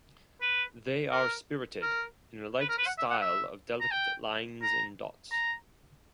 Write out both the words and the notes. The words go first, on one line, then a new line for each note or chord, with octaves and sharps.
They are spirited, in a light style of delicate lines and dots.
B4
A#4
A#4
B4
A#4
B4
F#5
E5
F#5
E5
A#5
G5
A#5
A#5